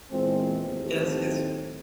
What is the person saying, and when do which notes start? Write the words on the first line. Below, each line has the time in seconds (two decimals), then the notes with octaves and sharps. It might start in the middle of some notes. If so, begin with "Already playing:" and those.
Yes, just
0.10 E2 A#2 G#3 C4
0.66 D#2 A2 A3 C4